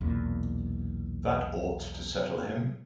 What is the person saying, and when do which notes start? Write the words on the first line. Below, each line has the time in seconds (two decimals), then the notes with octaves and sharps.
That ought to settle him!
0.01 B1 E2 A#2